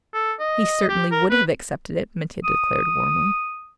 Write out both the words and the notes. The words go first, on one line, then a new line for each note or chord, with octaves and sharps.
"He certainly would have accepted it," Mitya declared warmly.
A4
D#5
G4
A#4
B4
D#6